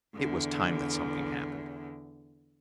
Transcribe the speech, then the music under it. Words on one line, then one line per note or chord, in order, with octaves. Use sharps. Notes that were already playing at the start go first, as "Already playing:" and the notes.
It was time that something happened.
E2 D3